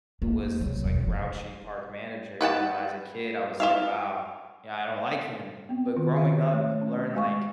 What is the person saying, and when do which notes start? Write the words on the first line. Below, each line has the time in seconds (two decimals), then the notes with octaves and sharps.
who was this, like, grouchy park manager, you know, as a kid, I was like, "Wow, you know, I don't like him." But growing up, you learn, like,
0.22 E2 A#3
0.61 C2 F#3
0.85 B1 E2
1.00 F1 F3
2.41 B4 F#5 G5 A5
3.60 F4 E5 F5
5.69 B3 C4
5.97 D#3 F4
6.12 D#3 C#5 E5
6.53 A3 C#5
6.81 C#4
7.14 G#3 F5 G#5 C#6